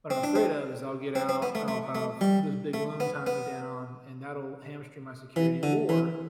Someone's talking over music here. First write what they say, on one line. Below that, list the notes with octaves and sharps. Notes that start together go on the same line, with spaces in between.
what I'm afraid of is I'll get out, I'll have this big loan tie me down and that'll hamstring my security or,
C4
D4
C4
C4
C4
B3
A3
A3
A3
G3
A3
B3
B3
E3
D3
E3